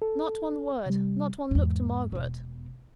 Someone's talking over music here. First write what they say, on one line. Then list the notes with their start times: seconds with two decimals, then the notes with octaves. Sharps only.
Not one word: not one look to Margaret.
0.02 A4
0.86 C3 G3
1.51 E2 G#2
2.12 E1 B2